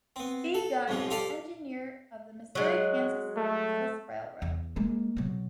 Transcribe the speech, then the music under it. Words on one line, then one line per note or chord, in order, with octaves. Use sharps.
B. Gunn, an engineer of the Missouri-Kansas-Texas Railroad.
B3 C4
A4
B1 F2 G#2 F3 G3
F4 G4 A4 C5 D5 F5
F#3 G#3
A3
E2
G#3 A#3
B2 F#3